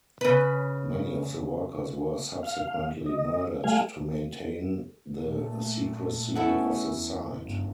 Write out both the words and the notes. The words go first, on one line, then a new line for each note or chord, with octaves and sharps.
Many of the workers were subsequently murdered to maintain the secrecy of the site.
C#3 B4
F5
D#5
G3 A3 F5 G#5
A#2 A3
A3 B3 C#4 E4 A4 F#5
E2
G1 C#2 F#2